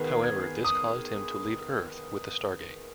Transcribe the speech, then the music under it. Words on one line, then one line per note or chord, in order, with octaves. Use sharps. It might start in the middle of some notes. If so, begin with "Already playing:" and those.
However, this caused him to leave Earth with the Stargate.
Already playing: D#3 B3 G#4 B4
G#6
D#6